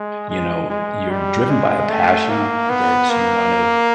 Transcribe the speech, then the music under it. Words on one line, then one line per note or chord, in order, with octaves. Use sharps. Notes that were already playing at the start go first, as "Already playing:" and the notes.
you know, you're driven by a passion that you want to
Already playing: G#3
G#3
G#3
G3
G#3
A3
A#3
B3
A#3